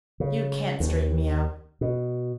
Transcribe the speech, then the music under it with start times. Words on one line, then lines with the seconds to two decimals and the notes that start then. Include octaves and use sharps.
"You can't straighten me out."
0.20 C#3
0.80 D#2
1.81 B2